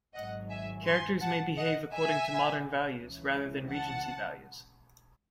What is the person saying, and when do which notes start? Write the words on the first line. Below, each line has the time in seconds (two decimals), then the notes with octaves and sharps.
Characters may behave according to modern values, rather than Regency values.
0.14 G#1 G#2 F#3 D#5 F#5
0.50 E5 G#5
0.86 G#5 C6
1.21 F#5 A5
1.57 D#5 F#5
1.93 E5 G#5
3.00 C#2 C#3 E3
3.71 F#5 A5